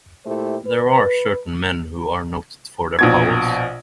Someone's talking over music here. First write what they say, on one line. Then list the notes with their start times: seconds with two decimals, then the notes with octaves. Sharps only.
There are certain men who are noted for their powers.
0.25 A#2 A3 E4 G4 C5
0.66 B4
2.99 A#1 B2 G#6